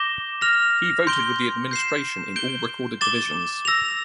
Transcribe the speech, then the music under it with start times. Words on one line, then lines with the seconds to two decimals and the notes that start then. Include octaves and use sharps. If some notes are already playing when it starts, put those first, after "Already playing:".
He voted with the Administration in all recorded divisions.
Already playing: D6 G6 A#6 E7 G7
0.41 F6 A#6 F7
1.07 C6 G6 D7 G7
1.71 G6 C7 E7
2.36 G6 D7 G7
3.01 D6 A6 E7 G7
3.65 E6 A#6 F7